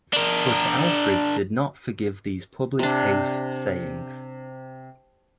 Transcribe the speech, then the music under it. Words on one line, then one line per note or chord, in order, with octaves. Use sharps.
But Alfred did not forgive these public-house sayings.
D4 A#4
C3 D4